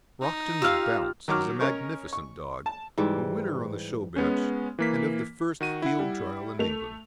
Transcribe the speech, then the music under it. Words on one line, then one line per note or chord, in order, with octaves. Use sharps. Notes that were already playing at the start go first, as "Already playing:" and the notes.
Brockton's Bounce was a magnificent dog, a winner on the show bench, and of the first Field Trial in England.
D#4
F4 G4 F5 E6 F6
D#3 F#3 C#6 D6 F6
C#4 A#4 C#5 D#5 C#6
C#6
A5
G#2 E3 G3
G#3 B3 C#4
E3 A#3 B6
D#3 F#4 D#7
E4 F#5
G3
A3 F7